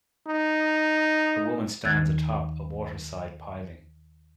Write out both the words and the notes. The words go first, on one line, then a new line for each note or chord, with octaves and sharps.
A woman stands atop a waterside piling.
D#4
D#2 D#3 E6 F#6 G#6 A6